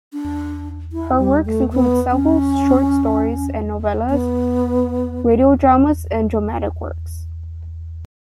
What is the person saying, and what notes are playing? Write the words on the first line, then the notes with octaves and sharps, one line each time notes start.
Her works include several short stories and novellas, radio dramas, and dramatic works.
D4
E4
G3
A3
B3
C#4
B3